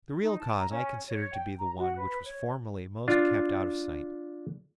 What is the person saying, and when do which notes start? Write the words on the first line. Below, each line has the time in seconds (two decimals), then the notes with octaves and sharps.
The real cause I consider to be the one which was formally most kept out of sight.
0.21 D#4
0.40 A5
0.57 A#5
0.69 C#4
1.08 C#5
1.34 G5
1.58 A#5
1.78 F#4
1.97 B4
2.24 C#5
3.08 D4 F4